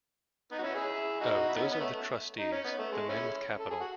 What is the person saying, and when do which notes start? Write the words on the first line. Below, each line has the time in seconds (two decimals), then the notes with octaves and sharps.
Oh, those are the trustees — the men with capital.
0.51 B3 D#4
0.58 F#4
0.63 C#4 E4
0.74 E4 G#4
1.20 D#4 F#4
1.48 E4
1.55 B3 D#4
1.63 C#4
1.71 B3
1.80 A3
2.38 D#4
2.52 C#4
2.64 B3
2.78 A3
2.92 G#3
3.08 C#4 E4
3.60 A4
3.70 G#4
3.80 F#4